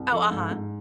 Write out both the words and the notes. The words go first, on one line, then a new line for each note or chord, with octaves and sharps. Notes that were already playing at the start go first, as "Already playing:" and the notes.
Oh, uh-huh.
Already playing: C2
F3 A4
G#2
G#2